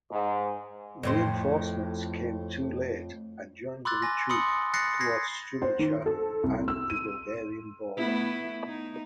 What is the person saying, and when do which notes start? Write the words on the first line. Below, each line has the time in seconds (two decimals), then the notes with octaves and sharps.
Reinforcements came too late and joined the retreat towards Strumica and the Bulgarian border.
0.12 G#2
1.03 F2 A2 C5
3.85 B5 C6 D6 E6 F#6 A6
4.02 G#5 A#6
4.29 B5 C6 D#6 E6 C#7
4.74 B5 F#6 A6 A#6 C7 C#7
5.00 G#6 A#6 C7
5.62 C5
5.79 D#3
6.06 A4
6.43 C2
6.68 E6
6.90 D#7
7.97 A3 B3 E4
8.67 D#4